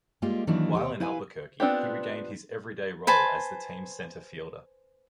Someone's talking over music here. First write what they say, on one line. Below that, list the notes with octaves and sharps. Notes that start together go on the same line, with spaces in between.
While in Albuquerque, he regained his everyday role as the team's center fielder.
G3 G#3 A#3 F4 G4
D#3 E3 F#3 A#3 D4
D#2 G4 C#5
E4 B4 F5 G#5
B3 C4 D4 F4 G4
B4 C5 G#5 A5